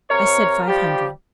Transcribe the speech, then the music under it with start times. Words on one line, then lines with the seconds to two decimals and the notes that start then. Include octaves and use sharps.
"I said five hundred."
0.11 C3 A#4 C#5
0.68 F3 G3 G4